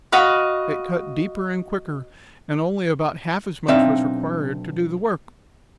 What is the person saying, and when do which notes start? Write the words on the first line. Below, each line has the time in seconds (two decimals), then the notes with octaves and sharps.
It cut deeper and quicker, and only about half as much was required to do the work.
0.12 F#4 D#5 F5 B5
3.68 B1 C4 D4 D#4 E5 F5